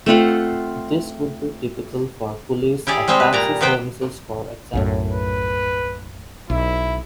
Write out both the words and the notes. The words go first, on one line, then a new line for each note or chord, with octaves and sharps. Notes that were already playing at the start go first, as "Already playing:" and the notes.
This would be typical for police or taxi services for example.
A3 C4 F4 F#5
E4 G4 G#4 D5
G3 G#3 C4 G#4 C5
B4
A#2 D5 A#5
C3 B3 B4 C5 G5
B1 F#2 A2
B4
B1 E4